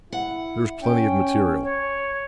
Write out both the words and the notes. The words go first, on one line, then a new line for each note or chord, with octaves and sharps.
There is plenty of material.
E4 F#5
C#4 G5
C#5